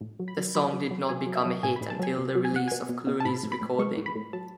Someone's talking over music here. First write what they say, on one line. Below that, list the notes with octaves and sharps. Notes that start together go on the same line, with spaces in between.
The song did not become a hit until the release of Clooney's recording.
A2
F#3
B5
F#3
F#3 B5
F#3
F#3
F#3 G#5
F#3
E5
F#3
A2 G#5
A2 B5
A5
F#3 G#5
B2
F#3
G#5
B2 F#5
B2 G#5
B2
B2
A5
A2 B5
A2
B5
A2
G#3 C#6
A2
B5
A2
F#3 A5